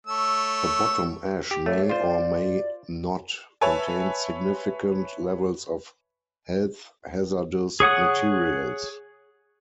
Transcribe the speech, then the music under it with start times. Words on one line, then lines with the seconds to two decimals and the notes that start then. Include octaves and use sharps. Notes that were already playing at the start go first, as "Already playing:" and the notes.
The bottom ash may or may not contain significant levels of health hazardous materials.
0.07 A3 C#5 E6
1.51 G4
1.66 A3 C#5
1.90 F4 C5 D5
3.61 B4 C#5 E5 G#5 A5
7.80 G#4 C#5 F#5 D#6